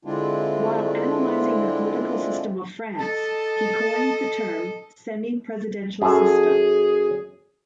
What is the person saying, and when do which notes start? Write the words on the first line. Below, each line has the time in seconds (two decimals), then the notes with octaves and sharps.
While analysing the political system of France, he coined the term semi-presidential system.
0.05 D3 G#3 C4 D4 E4 F4
2.97 A4 D#5 A5
6.02 F#2 G#4 A4